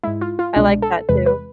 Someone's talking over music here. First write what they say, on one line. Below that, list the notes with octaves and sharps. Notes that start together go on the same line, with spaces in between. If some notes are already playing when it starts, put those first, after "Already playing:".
I like that, too.
G#2 G#3 E4
F4
F4
C2 B2 G#3 D4
A4
E2 C3 E3 G#3 B4
B4